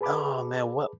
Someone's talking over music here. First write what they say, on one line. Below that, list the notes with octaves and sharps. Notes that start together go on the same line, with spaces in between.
Aw, man, what
G#4 B4 A5 B5 D6